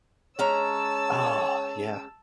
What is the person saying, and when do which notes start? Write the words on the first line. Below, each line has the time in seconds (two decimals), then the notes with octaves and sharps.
Oh, yeah.
0.39 G#3 C#4 C#5 A5 A#5 E6